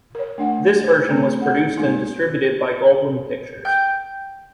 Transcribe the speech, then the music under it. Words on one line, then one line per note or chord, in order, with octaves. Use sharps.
This version was produced and distributed by Goldwyn Pictures.
A#4 C#5
A3 D4 F#5
C5
A3 C4
A4 F#5
G#3 A#3 D#4
G5 G6